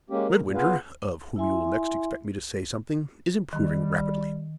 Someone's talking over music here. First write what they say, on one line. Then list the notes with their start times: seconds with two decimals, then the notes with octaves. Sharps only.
Midwinter, of whom you will next expect me to say something, is improving rapidly.
0.10 G#3 A#3 C#4 G4
0.28 A#4
0.42 A#2
0.55 B3 F4 G#4 B4 F5
1.36 E4 E5 G#5 C6
3.53 D#3 G3